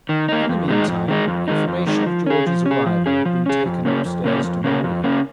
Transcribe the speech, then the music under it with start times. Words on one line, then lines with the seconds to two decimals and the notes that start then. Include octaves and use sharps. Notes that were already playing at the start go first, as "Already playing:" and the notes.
In the mean time, information of George's arrival had been taken upstairs to Marie.
0.09 D#3
0.29 A#3 D#4
0.49 F2
0.68 D#3 G#3 D#4
0.88 F2
1.08 D#3 G#3 D#4
1.28 F2
1.48 D#3 G#3 D#4
1.68 F2
1.87 D#3 G#3 D#4
2.06 F3
2.26 C#4 G#4
2.46 F3
2.66 C#4
2.71 G#4
2.86 F3
3.06 C#4 G#4
3.25 F3
3.46 C#4 G#4
3.66 F2
3.85 C#3 A#3 C#4
4.05 F2
4.24 C#3 A#3 C#4
4.44 F2
4.64 C#3 A#3 C#4
4.84 F2
5.04 C#3 A#3 C#4